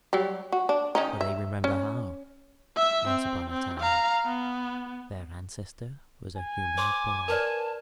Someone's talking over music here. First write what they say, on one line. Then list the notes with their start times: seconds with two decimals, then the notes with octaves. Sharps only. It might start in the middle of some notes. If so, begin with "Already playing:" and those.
For they remember how, once upon a time, their ancestor was a human boy.
0.13 F#3 G3
0.52 F#4
0.69 D4
0.95 D#3 C#4 D#4
1.21 E5
1.64 C#4
2.76 E5 E6
3.08 C4
3.50 C4
3.80 F5 A#5
4.25 B3
6.37 G#5
6.78 C5 C6 D6
7.28 A#4 B4 D5 A5